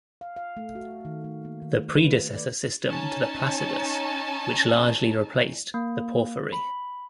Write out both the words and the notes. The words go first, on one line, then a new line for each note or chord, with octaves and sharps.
The predecessor system to the Placidus, which largely replaced the Porphyry.
F5
F5
A3
F#4
D#3
A3
A#3
D#3
A3
B4
A3
D5
C#4 D#4 G#5 A5
A#3
B5